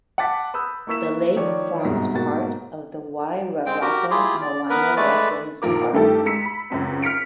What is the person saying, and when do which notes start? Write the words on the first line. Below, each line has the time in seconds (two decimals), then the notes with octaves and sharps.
The lake forms part of the Wairarapa Moana Wetlands Park.
0.18 F#5 A5 D6 A6 B6
0.54 B5 D#6 E6 F#6 G6
0.87 A#3 E4 C#6 E6 B6 E7
1.36 D#3 F3 C#5 D5
1.84 G1 C2 G#2 B2
2.13 G#2 B2 A#3 F#4 A6
3.66 G#3 C4 G5
3.82 F#4 G4 A#4
4.10 E4 F4 G4 G#4
4.41 D5
4.70 B3 A#4 B4
4.96 G#3 A3 B4 D5
5.62 A#1 D#3 F3 A#4 D6
5.93 G2 D#3 A3 G4 A4 A6
6.25 G#3 A#5 E6 B6 C#7
6.45 B5
6.70 C#2 F#2 C4
7.02 F6 B6 C#7 D7